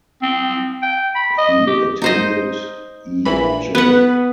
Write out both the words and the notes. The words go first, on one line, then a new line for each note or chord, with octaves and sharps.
He attended E. J.
C4
G5
B5
D#5
G4
D#4 C5 D#5
A#1 E3 B5
B3 B4 F#5